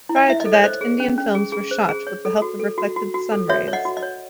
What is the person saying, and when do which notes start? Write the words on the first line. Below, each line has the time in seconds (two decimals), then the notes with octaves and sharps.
Prior to that Indian films were shot with the help of reflected sunrays.
0.09 E4
0.16 D#5
0.28 E4 E5
0.40 D#5
0.45 A4
0.54 C#5
0.64 C5 D#5
0.81 G#4
1.00 C#4
1.18 C#4
1.35 G#4
1.52 G#4
1.71 C5
1.89 G#4
2.07 C#5
2.25 A4
2.42 F#4
2.59 A4
2.78 F#4
2.96 F#4
3.14 F#4
3.32 A4
3.49 F#4 C#5 E5
3.68 C#5
3.73 D#5 F#5
3.85 F#4
3.97 D#5
4.02 C#5